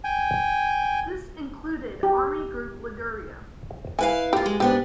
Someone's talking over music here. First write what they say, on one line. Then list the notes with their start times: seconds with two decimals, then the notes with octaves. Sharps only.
This included Army Group Liguria.
0.04 G5 G#5
2.03 G4
3.99 E4 B4 F5 G#5
4.33 A#3 F4 G4
4.46 G#3
4.60 G#2 B3 D4 G4